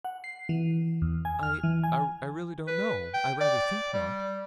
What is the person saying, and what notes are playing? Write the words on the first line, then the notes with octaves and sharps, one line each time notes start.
'I--I really don't know; I rather think not.
F#5
C7
E3
E2
G#5
F6
E3
G#5
B4
G5
D5
G3